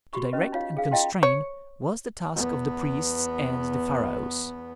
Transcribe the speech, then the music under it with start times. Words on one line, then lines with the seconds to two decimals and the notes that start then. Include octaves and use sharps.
To direct and constrain was the task of the priests and the pharaohs.
0.13 F#4 G4 B5 C#6
0.33 C#4 B4 D#5
0.52 D#4 F4 C#5 F5
0.77 G#4 F5
0.91 F4 D#5 F5 G5 A5 C6
1.23 C#5
2.35 E2 B3